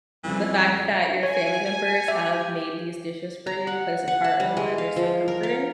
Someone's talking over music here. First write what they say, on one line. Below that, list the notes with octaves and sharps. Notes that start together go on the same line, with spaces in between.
the fact that your family members have made these dishes for you plays a part in why they're so comforting?
F2 C#3 E3 F3 G3
C#5 G#5
G4 E5
A#5
F#5
F#5
A5
G3
G#3
F5
F3
A#4
F5